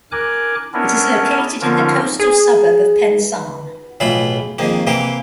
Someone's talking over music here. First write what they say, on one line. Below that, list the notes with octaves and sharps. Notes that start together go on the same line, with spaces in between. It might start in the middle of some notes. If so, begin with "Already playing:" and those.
It is located in the coastal suburb of Pensarn.
A#4 G#5 D6 F#6
B3 C#4 D4 E4 A#4
D3 F3 C#4 F4 A#4
G#4
B1 A2 E3 F4 B5
F2 G#2 D#3 A#3
C3 E3 A#3 G4